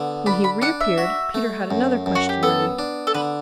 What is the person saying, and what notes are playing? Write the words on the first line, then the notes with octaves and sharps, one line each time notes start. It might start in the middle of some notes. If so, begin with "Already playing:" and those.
When he reappeared Peter had another question ready.
Already playing: D3 B3
D4 B5
B5
D4 F#5
E5
F#4
A3
F#2
F#2
F#4
G4
B3 A4
D4
A4
D3 B4